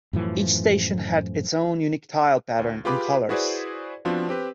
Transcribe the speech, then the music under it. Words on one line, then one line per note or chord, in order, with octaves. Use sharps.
Each station had its own unique tile pattern and colours.
F#2 A2 E3 F3
D2
F4 G4 G#4 B4 B5 D6
E4 F#4 G#4 B4 C5 D5
F3 B3 C4 D4 F4 F#4
C4 G4 B4